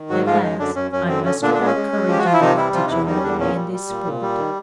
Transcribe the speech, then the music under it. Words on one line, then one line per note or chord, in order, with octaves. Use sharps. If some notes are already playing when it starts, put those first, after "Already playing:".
At last, I mustered up courage enough to join them in this sport.
Already playing: D#3
G#2 F#3 F#4
F3 G#3 F4
F#2 D#3 D#4
F#2 D3 D4
F#2 C#4
F#2 C#4
D3 C4
D3 C#4
A#2 D3 D4
G#3 D4
C#4
G#3
G#3
F3 G4
F#4
F3 F4
E4
C3 D#3 D#4
E3 G3 E4
C3 F3 F4
D#4
E2 E3 E4
D#3 G3 D#4
C#4
E2 D3 D4
A#2 C#4
G3
G3
A#2
A#2
G3
D#3